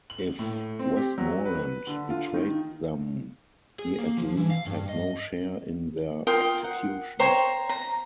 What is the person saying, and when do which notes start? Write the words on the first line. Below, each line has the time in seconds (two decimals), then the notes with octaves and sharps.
If Westmorland betrayed them he at least had no share in their execution.
0.10 F#7
0.39 A2
0.79 C4
0.97 G4
1.18 F#3
1.46 B4
1.87 D3
2.10 F4
2.34 D#3
3.79 G#4
3.99 A#3
4.18 F3
4.37 E3
4.51 F5
4.66 G2
4.89 D#5
6.27 F4 A#4 G5 D#6
6.64 F#5
7.19 C5 C#5 G5 A#5
7.69 A#5